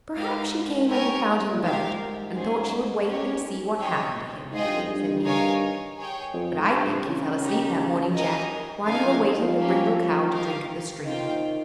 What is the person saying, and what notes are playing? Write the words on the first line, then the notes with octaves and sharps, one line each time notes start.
"Perhaps she came and found him burnt and thought she would wait and see what happened to him," said Nina, "but I think you fell asleep that morning, Jack, while you were waiting for Brindle Cow to drink at the stream."
G#2 G4 A#4 F5
G4 A#4 C#5 G#5
A#2
G#2 G4 A#4 F5
C#4 G#4 C5
C#4 G4 A#4 C#5
D#4 G#4 C#5 G5
G#2 F4 G#4 D#5 G5
G2
F2
G2
D#4 A#4 C#5 F5 G#5
G#4 C#5 G5
F2
G#2
G2 C4 G4 C5
C#3
D#4 G4 A#4
D#4 G4 A#4 D#5 G#5
C#3 A#3 D#4 A#4 F5 G#5
F3
C#3
D#3
D#3
F3
A#3 C#4 G4
G4 A#4 F5
D#3 A#3 F4 C5 G5